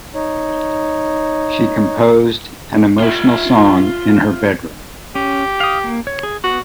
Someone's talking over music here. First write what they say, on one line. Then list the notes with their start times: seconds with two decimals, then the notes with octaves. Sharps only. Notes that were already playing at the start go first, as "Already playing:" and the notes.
She composed an emotional song in her bedroom.
0.14 D#4 C#5
3.00 F4 E5
5.15 C#4 G4
5.60 F5 D#6
5.84 A#3
6.07 C#5
6.23 G#4
6.44 B3 F#4